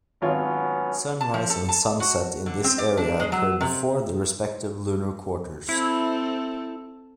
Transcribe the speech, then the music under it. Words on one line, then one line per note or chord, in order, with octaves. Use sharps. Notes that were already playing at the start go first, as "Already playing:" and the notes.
Sunrise and sunset in this area occur before the respective lunar quarters.
G#1 F#3 B3 C#4 F4 C#5
A5
F3
A4
A5
F#4
D3
C4
D5
D4
G#3
F#3
C3
C4 E4 A4